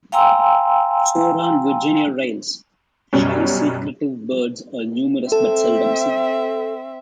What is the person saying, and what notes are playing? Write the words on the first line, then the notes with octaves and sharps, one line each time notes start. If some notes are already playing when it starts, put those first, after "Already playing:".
Sora and Virginia rails - shy, secretive birds - are numerous but seldom seen.
F5 G5 G#5 A#5 C6 E6
F#2 B2 G3 C#4
C4 A4 E5